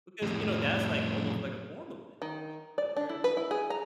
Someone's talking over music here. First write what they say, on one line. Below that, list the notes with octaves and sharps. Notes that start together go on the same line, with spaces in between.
Because, you know, that's, like, almost, like, a form of meditation, 'cause you're
F2 A2
D#3
D5
D4
E4
B4
E4
G#4
A#5